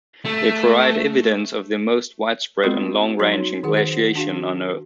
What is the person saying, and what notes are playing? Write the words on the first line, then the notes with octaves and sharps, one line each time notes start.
They provide evidence of the most widespread and long-ranging glaciation on Earth.
A3
G#3 B3 C4 F4 F#4 A4
F#3 D#4 F#4 C#5
D#3 G#4 F#5
C5 F#5
D4 F#4 F5